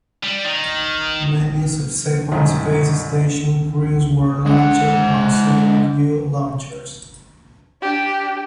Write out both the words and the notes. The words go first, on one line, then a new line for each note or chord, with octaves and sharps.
Many subsequent space station crews were launched on Soyuz-U launchers.
G3
D#3
C2 F#2 B2 D#3 G#3
G#3 F#5
D4 G4